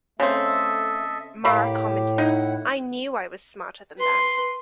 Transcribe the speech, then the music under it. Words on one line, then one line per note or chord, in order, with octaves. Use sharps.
Marr commented, I knew I was smarter than that.
C#3 A3 C4 A4 D#5 E5
A2 A#3 G4 B5
D#4 E4 F#5
B4 C6